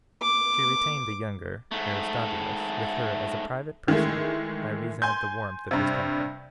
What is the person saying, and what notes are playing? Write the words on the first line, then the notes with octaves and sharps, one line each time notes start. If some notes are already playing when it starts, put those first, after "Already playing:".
But she retained the younger, Aristobulus, with her as a private person, by reason of the warmth of his temper.
D6
G#2 A3
D#3 E3 G#3 A3
G#5 C6 G6
G2 C3